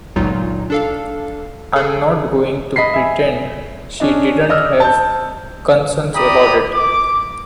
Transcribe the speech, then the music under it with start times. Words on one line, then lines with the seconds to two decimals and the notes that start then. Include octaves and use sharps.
I'm not going to pretend she didn't have concerns about it.
0.16 G1 C#2 A#2 F#3 D#4 F4
0.70 D4 A4 F5
1.76 G#4 A4
2.76 D#5 B5 B6 C7
2.94 E5 G#5
4.00 C#4 D4 D#5
4.49 D5 D#5 E6 F6
4.80 A5 G6
6.15 E4 G4 D5 A#5 B5 D#6
6.74 D6